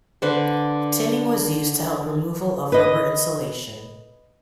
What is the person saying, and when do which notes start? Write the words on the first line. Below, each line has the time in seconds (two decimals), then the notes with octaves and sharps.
Tinning was used to help removal of rubber insulation.
0.22 D3 B4 C5
2.72 B4 D#5